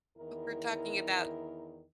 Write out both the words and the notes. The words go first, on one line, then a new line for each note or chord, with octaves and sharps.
we're talking about,
E2 D#3 E4 A#4